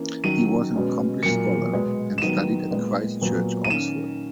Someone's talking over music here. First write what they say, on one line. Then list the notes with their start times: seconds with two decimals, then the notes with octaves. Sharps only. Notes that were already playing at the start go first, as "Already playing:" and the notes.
He was an accomplished scholar, and studied at Christ Church, Oxford.
Already playing: E3 A#3 C#4
0.24 D#3 F#3 C#4 D#7
0.74 B2 G#3 C#4
1.23 A#2 F#3 A#3 C#7
1.73 B2 G#3 B3
2.18 E7
2.22 D#3 F#3 B3 D#7
2.71 A#2 G#3 B3
3.21 A#2 F#3 B3
3.64 D#7
3.70 D#3 A#3 C#4 E7